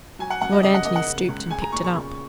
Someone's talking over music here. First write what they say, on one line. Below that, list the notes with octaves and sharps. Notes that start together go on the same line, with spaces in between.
Lord Antony stooped and picked it up.
F#3 G#5
F#5
F#2 F#5
D#5
C#3 D#5
F#5
A#3 D#5
F#5
C#3
C#2
G#3 G#5
A#5
A#2 C#6
C#6
C#3